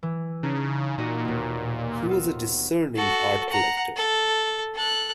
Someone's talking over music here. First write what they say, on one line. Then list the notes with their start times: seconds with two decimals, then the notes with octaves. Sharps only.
He was a discerning art collector.
0.03 E3
0.43 C#3 D4 D#4
0.98 A#2 D#4 F#4 D#5
1.25 D#2 B2
2.09 B3 C4 F4
2.96 F#4 A4
3.50 F#5 A#5
3.96 A4
4.75 A4 F#6